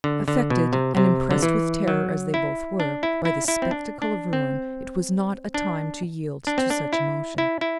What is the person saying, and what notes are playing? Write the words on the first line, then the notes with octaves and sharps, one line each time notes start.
Affected, and impressed with terror as they both were, by this spectacle of ruin, it was not a time to yield to such emotions.
D3
D3
B2
C3
C3
D3
E3
F#3
E4
D4
E4
E4
E4
C4
D4
D4
C4
D4
D4
C4
D4
E4
E4
E4